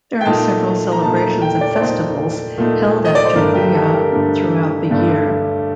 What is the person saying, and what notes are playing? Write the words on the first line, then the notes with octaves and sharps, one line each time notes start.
There are several celebrations and festivals held at Jayuya throughout the year.
G5
A#2 A3 D#4 A5
A#5
A#2 A3 D#4 A5
A#5
A5
G5
D5
D5
A#2 A3 D#4 C5
A#2 A3 D#4
D#5
D5
C5
G2 D3 A3 D4 A#4
G4
A4
A#4
G2 D3 A3 D4 A#4
G2 D3 A3 D4